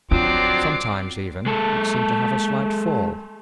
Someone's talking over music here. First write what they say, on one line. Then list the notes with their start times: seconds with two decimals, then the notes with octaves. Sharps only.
Sometimes, even, it seemed to have a slight fall.
0.11 F3 F#3 C4 D4 F4 D6 C7
1.46 G#3 A4